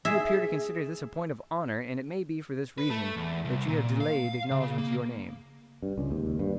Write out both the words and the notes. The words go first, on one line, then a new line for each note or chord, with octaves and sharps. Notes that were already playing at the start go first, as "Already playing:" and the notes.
You appear to consider this a point of honor, and it may be for this reason, that you have delayed acknowledging your name.
G#4 E5
B4
A3
E2
C2
A#2
F5
C#3
A#3
G2
C#2
D#2
G2